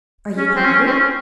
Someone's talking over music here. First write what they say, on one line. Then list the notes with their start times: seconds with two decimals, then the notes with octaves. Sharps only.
"Are you hungry?"
0.37 C#4
0.56 C4
0.64 C#4
0.86 C4
0.92 C#4